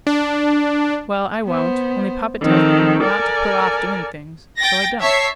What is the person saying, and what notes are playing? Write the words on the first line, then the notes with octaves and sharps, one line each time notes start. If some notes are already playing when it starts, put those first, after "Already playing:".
"Well, I won't, only papa tells me not to put off doing things, so I don't."
D4
B3 C5
D#3 F3 C4 A4
A4 A#4 D5 G#5
G5 A6 A#6
C#5 E5 A5 C#6 B6 C7